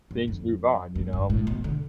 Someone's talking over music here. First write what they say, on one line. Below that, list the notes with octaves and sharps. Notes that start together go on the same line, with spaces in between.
Things move on, you know?
G2
F2
F2
G2
A2
B2
D3